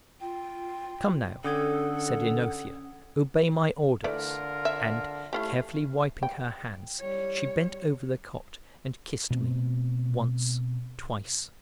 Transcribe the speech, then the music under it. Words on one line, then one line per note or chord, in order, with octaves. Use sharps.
"Come now," said OEnothea, "obey my orders," and, carefully wiping her hands, she bent over the cot and kissed me, once, twice!
F4 G5
D3 C#4 A4 F#5 D#6 G#6
D3 E3 A3 F4 A#4 D5
E5
A3 E4 F4 G4 C#5 F5
G5
G3 C#5
B2 A3 C4